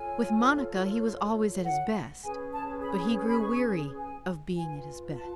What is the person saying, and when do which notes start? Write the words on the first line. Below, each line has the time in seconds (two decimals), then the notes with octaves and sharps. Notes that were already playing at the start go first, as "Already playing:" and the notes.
With Monica he was always at his best, but he grew weary of being at his best.
Already playing: F4 A4 C#5 G#5
1.65 F#5
2.22 C#4 G#4 B4 G#5
2.52 A5
2.81 B5
3.28 B5
3.40 C#6
3.97 G#5
4.56 F4 B4 G#5
5.14 A5